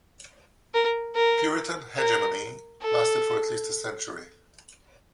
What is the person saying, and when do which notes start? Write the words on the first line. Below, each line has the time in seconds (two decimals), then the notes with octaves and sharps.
Puritan hegemony lasted for at least a century.
0.74 A#4
1.15 A#4
1.98 A#4
2.82 A4